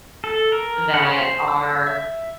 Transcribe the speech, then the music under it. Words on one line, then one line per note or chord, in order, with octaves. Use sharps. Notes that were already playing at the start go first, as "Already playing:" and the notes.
that are
A4
A#4
F#5
C5
E6
E5